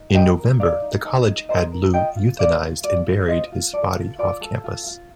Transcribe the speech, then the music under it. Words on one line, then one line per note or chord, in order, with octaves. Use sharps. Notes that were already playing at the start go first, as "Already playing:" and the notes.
In November, the college had Lou euthanized and buried his body off campus.
Already playing: D#4
A#4 D#5 G5
A#4
D#4 D5 F5
D#4
D#4
D#4
A#4 C5 D#5
A#4
F4 D#5 G5
F4
F4 D5 F5
F4
F4 D5
F4
F4 C5 D#5
F4
A4 D5
F4
F4 D5
A4
F4
F4